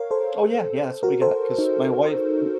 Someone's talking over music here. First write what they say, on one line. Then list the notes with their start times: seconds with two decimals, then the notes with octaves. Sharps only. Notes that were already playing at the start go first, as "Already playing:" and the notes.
Oh yeah, yeah, that's what we got, 'cause my wife y
Already playing: A#4 C#5 F5
0.11 A4 C5
1.03 F#4 A#4
1.22 A4 C5
1.58 D#4